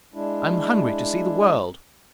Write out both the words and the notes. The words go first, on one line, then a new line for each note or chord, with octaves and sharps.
I am hungry to see the world.
G#3 D4 E4